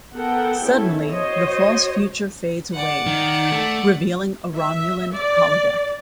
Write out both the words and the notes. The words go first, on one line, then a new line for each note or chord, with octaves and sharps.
Suddenly, the false future fades away, revealing a Romulan holodeck.
B3 A4 A#4 F#5 G5
B3 C#4 E4 A4
F#4 C5 C#5 D#5
D5 F#5
D#3
A3
E5
D5